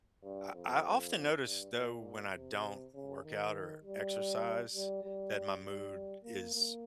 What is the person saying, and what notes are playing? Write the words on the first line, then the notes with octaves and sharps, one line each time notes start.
I I often notice, though, when I don't work out, or exercise, that my mood is
G2
F2
G2
A#2
C3
C#3
D#3
G3
G3
G3
G3
A#3
A#3